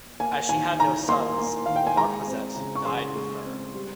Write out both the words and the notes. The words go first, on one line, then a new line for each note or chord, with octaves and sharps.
As she had no sons the marquessate died with her.
A#3 G#5
D#3 G#5
D#3 A#5
A#3 C6
A#3
D#3 F5
G5
G#5
G#3 A#5
C4
C#3
C#6
C#3 C6
G#3
C4
G3